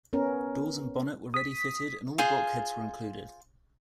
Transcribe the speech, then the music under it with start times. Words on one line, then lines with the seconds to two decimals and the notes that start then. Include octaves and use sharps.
Doors and bonnet were ready-fitted and all bulkheads were included.
0.13 B3 C#4 A#4
1.34 D#6 B6
2.18 F4 G#4 C5 G#5